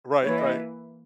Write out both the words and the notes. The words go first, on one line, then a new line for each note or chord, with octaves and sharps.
Right, right.
E3 A#3 E4 B4 C#5
D#5